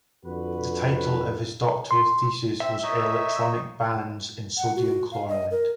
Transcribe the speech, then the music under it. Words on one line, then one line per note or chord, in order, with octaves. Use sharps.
The title of his doctoral thesis was "Electronic Bands in Sodium Chloride".
F2 D3 F#4 B4
C6
C4 E5
D#4 C#5 D#5
F#5
F#4
F5
D#5
A#4